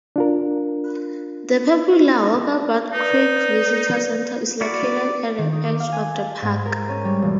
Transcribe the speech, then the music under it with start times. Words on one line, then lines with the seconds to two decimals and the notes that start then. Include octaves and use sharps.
The popular Walkabout Creek Visitor Centre is located at the edge of the park.
0.16 D4 F4 A#4
2.93 D#4 B4 D5
4.61 A#3 E4 F#4 D5
5.38 D#3
5.53 D#4
5.65 D6
5.80 F5
5.92 G#5
6.14 A5
6.42 G#2
6.66 A#4
6.89 C#4
7.05 G3
7.22 E1